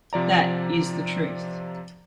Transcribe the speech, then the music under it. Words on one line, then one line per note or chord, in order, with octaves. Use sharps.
That is the truth.
C3 F3 D5 A#5